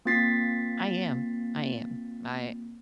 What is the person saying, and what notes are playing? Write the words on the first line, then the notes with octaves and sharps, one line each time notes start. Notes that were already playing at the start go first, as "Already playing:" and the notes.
I am. I am. I uh,
A#3 C4 F4 A6 B6 C7